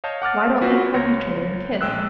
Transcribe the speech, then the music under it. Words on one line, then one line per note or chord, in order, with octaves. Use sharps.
Why don't they hug each other and kiss?
C#5 D#5 F5 A5 G6
F#5 D6 F6 A6
C4 C#4 F4 F#4 B4
C#2 C#5 C6 A#6
A#1 G#3 G5 E6 F#6